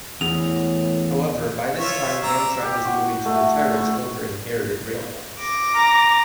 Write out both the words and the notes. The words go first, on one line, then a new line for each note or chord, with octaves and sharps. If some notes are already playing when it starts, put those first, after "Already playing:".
However, by this time Amtrak was moving to retire its older, inherited railcars.
E2 A2 F7
F4 C#5 E5
D5 A#5 E6
G4
F#4
A3
C#6
D6 A#6
A#5